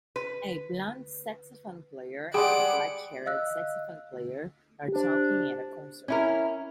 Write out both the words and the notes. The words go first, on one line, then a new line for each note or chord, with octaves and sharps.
A blond saxophone player and a blackhaired saxophone player are talking at a concert.
B4
G3 G#3 G#4 D5 F#5 G5 D7
D#5 F5 E6 F#6
D4
C#4 E4 A#4